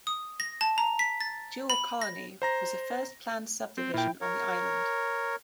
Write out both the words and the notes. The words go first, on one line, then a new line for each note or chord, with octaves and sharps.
Jewell Colony was the first planned subdivision on the island.
D#6
A#6
A5
A#5
B6
A6
B5
A#6
C5 A#5 A#6
C4
A#2 E4 G5
A#4 C#5